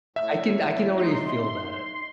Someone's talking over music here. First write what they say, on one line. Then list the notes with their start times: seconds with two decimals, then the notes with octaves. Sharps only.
I can I can already feel that.
0.16 A2 E5
0.98 D#4 C6